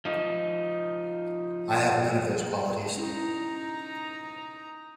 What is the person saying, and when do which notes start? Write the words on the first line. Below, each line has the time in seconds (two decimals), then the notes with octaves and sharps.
I have none of those qualities.
0.05 F3 D#4
2.96 C#4 D#4 E4 A#5